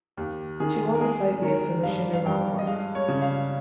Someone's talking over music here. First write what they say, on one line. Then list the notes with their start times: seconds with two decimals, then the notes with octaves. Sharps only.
She won the fight via submission in round one.
0.17 D#2
0.60 D#3 G#4
0.95 A#4
1.01 G#3 G#4
1.42 D#3 A#4
1.83 G2 F5
2.13 F5
2.25 G2 G5
2.59 D#5
2.67 G#3 F5
2.95 C#5
3.08 C#3
3.22 F5